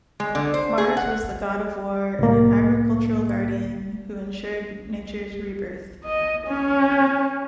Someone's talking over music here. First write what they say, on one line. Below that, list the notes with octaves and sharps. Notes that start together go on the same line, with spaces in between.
Mars was the god of war and an agricultural guardian, who ensured nature's rebirth.
G#3
D3
C5
G#4
F#5
C2 A2 A#3
D#5
C#4